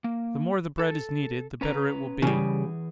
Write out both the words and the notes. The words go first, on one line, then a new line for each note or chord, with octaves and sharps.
The more the bread is kneaded, the better it will be.
A#3
A4
C#4 B4 A#5
C#3 E3 G3 G#4